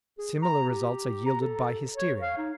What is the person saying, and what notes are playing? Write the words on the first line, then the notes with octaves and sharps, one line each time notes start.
Similar results are yielded by hysteria.
G#4
A#5
G4
A#5
A4
C#5
F5
D#4